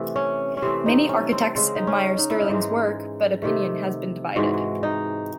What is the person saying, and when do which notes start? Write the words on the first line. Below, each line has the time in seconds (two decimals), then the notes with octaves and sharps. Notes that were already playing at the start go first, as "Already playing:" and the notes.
Many architects admire Stirling's work, but opinion has been divided.
Already playing: C3 E3 A3
0.16 C#4
0.57 C#4
0.62 C3 E3 A3 C4
0.86 D#4
1.09 C#4
1.32 C4
1.55 C#3 G#3 C4
1.76 D#4
1.87 C#4
2.18 D#4
2.30 E4
2.42 D#4
2.49 G#2 E3 G#3
3.42 C3 D#3 A3
4.36 G#2 E3 G#3 F#4
4.83 D#4